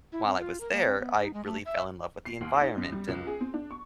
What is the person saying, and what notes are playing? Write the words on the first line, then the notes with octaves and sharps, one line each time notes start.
while I was there, I really fell in love with the environment and
E4
C4
F4
A#4
A#3
C4
B3
D#4
G#3
A3
E5
C7
D#2
D#4
F#2
G3
C#2
G#4
C4
D4
C#6